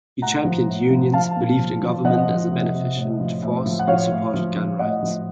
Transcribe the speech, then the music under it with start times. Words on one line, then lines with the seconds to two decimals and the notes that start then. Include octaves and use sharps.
He championed unions, believed in government as a beneficent force, and supported gun rights.
0.22 A2 F#5 A#5
0.45 F3
0.68 A2
0.90 F3
1.13 F3 F5 A5
1.36 A#2
1.59 F3
1.83 F3
2.05 F3 D#5 F#5
2.29 F3
2.51 C3
2.74 C3
2.96 A2
3.20 F3
3.43 A2
3.66 F3
3.79 F#5
3.87 F3 C#5 F5
4.11 A2
4.34 F3
4.56 F3
4.79 A2 D#5 F#5
5.03 F3